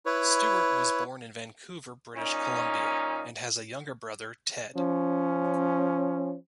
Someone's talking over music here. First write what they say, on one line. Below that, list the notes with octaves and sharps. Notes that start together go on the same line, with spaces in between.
Stuart was born in Vancouver, British Columbia, and has a younger brother, Ted.
E4 B4 C#5
A#2 C#4 D#4
F3 C#4